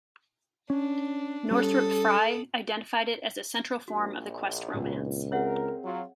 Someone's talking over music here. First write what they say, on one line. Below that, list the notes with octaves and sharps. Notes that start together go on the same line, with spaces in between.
Northrop Frye identified it as a central form of the quest romance.
C#4 D4
G3 C#4 A4 D#6
A#1 F#4
C#2 A#2 B3
C4 G#4 A#4 C#5 E5 F#5
F#3 F4